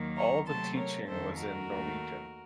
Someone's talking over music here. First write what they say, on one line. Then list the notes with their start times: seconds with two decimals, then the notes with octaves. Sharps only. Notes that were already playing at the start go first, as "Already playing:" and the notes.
All the teaching was in Norwegian.
Already playing: D#2 D#3 F#3 A#3
0.16 A#5 C#6
0.46 C3 F#3 A3 C4 A5 C6
0.76 A#4 C#5
1.06 F2 D#3 A3 A4 C5
1.36 F#4 A#4
1.67 D#2 D#3 A3